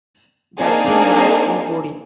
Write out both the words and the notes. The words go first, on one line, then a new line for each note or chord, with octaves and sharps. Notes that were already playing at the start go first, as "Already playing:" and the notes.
That seemed like foreboding.
A#3 C4 D4 D#4 G#4